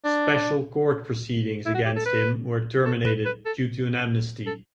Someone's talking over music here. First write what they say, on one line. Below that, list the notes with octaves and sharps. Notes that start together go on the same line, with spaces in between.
Special court proceedings against him were terminated due to an amnesty.
D4
E4
F#4
G4
A4
B4
A4
B4
B4
A4
A4